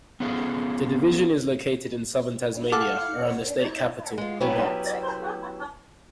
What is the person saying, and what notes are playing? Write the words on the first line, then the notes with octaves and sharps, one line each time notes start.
The division is located in southern Tasmania around the state capital, Hobart.
B3 C#4 F4 G#4 A4
A4 F5 F#5 D6
G#3 F4
F#3 B3 C#4 E4 G4